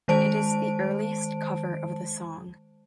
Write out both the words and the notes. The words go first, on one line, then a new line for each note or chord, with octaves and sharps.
It is the earliest cover of the song.
D#3 G#3 C5 A5 D7